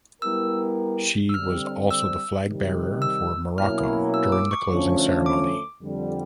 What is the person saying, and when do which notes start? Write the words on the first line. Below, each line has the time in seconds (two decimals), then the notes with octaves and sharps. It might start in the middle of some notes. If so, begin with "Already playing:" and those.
She was also the flag bearer for Morocco during the closing ceremony.
0.22 G3 B3 E4 G4 A#4 E6
1.29 E6
1.34 D3 G3 C4 F6
1.91 E6
2.47 C3 D#3 G3
3.02 E6
3.57 B2 F#3 A#3 C#4 E4 F6
4.14 E6
4.32 D6
4.51 C#6
4.70 D2 D3 F3 A3 C#4
5.26 D6
5.83 F2 D3 G3